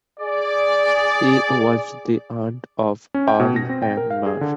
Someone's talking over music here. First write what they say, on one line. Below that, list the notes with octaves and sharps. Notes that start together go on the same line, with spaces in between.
She was the aunt of Earl Hamner.
G#4 D5
C#4
G5
B2
A#6
C4
G5
A#4
F5
G#4
D3